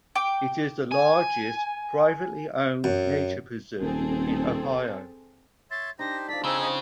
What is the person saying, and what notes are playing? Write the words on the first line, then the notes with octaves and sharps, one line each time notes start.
It is the largest privately owned nature preserve in Ohio.
G5 D6
G#5
F#2
D#1 C4 G#4 A4
C#5 E5 C6 A6
D4 D#4 G4 C5 A#6
F3 A4 D5 B6
C#3 C4 D#4 G#4 E6
C5 D#5